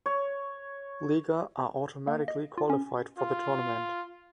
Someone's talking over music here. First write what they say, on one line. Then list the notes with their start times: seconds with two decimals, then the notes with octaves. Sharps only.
Liga are automatically qualified for the tournament.
0.06 C#5
2.07 A#3
2.28 D#5
2.58 F4
2.70 C#4
3.18 F4